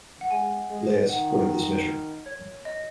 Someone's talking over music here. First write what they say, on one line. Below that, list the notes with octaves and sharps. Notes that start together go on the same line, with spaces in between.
Lea supported this measure.
F#5
G#3 G#5
G#3
D#3 F#5
A#4
C#5
D#5